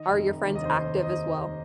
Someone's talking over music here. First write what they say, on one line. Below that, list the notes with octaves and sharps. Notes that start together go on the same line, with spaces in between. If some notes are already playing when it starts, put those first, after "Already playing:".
Are your friends active as well?
Already playing: D#3 D#5
F1
F1
D#2
D#5
D#3 C5
F1
D#5